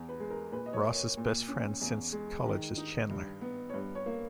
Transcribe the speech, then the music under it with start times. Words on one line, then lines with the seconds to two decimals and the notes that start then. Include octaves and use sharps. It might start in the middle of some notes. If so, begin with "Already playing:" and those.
Ross's best friend since college is Chandler.
Already playing: E2
0.09 B4
0.20 G#3
0.31 A#4
0.52 A#2 B4
0.66 D#5
0.73 C#5
0.84 A#3
0.96 C#5
1.17 A#2
1.48 C#4
1.81 E2
2.12 G#3
2.46 D#3
2.77 D#4
3.10 G2
3.41 B3
3.69 C#5
3.74 G2 B4
3.95 C#5
4.06 A#3